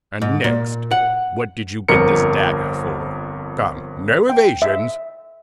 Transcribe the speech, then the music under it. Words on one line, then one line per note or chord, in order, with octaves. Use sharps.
And next, what did you get this dagger for? Come, no evasions!
G#2
A#2
F#5
G1 F2 A#4 C#7
G5
E5